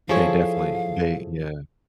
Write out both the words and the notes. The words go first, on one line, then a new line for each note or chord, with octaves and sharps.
They definitely they Yeah.
F3 E4 G#4 A4 C#5 F5